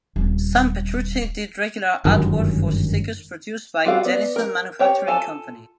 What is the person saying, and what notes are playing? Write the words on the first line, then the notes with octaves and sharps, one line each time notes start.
Sam Petrucci did regular artwork for stickers produced by Dennison Manufacturing Company.
D#1
G1 F#2 D#3 G#3
G3 F4 F#4 A4 F5
B3 D5
A#4
G4 C#5 G5
F4 A4 G#5 A5